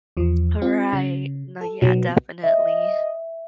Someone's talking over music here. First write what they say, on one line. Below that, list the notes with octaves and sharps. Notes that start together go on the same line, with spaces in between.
Ah right. No, yeah, definitely.
E2 F3
C4 F4
C#3
A4
B2 F#3
D#5 E5